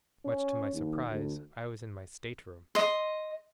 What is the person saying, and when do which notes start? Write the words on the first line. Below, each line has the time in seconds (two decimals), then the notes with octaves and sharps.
Much to my surprise, I was in my stateroom.
0.25 C#4
0.73 D#2
1.08 D2
2.75 D#5 C6